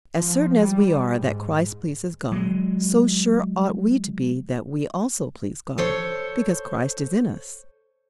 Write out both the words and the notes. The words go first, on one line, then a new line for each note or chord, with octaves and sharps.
As certain as we are that Christ pleases God, so sure ought we to be that we also please God, because Christ is in us.
F3
G3
G#2
F#3 G#3
A4 C5 C#5